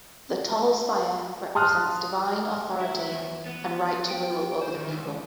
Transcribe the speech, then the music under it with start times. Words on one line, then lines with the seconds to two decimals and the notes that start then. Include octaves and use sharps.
The tall spire represents divine authority and right to rule over the people.
1.55 A5 C6 D#6 F6 F#6
2.81 E4
3.12 E2
3.46 B3
4.10 G5
4.62 C5
4.75 D#3
4.91 C#2